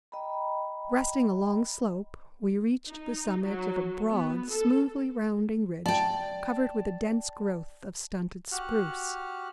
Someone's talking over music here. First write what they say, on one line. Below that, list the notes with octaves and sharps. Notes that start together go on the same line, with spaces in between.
Breasting a long slope, we reached the summit of a broad, smoothly rounding ridge covered with a dense growth of stunted spruce.
D#5 G5 A#5 B5
D#4
F#3
B3
A4
D5 G5 A5
F#4 G4 F#5 F6 F#6